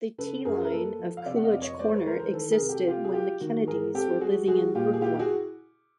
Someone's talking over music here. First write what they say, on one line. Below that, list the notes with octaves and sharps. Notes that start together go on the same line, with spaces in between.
The "T" line to Coolidge Corner existed when the Kennedys were living in Brookline.
C#3 A4 B4
F#2 G#4 A#4
A#4
A#3 A4 B4
F3
F5
C3 D5 E5
F#5
D#5 F5
F2 D5
C#5 D#5
G#3 C5 D5
B4 C#5
E3 A#4 C5
A#4 C5
D#3 A4 B4
G#4 A#4
C3
G4 A4
C3 F4 G4
G#4
F#3 F4 G4
D#3 F#4
G#2 G#4 A#4
C4 G4 A4
G3 F#4 G#4
G3 F#4 G#4
A#2 F4 G4
G#4
E4 F4 G4
G4
F#4 G#4